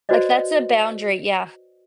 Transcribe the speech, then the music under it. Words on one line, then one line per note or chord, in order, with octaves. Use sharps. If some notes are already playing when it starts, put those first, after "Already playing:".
Like, that's a boundary, yeah.
F#4 B4 C5 D5 D#5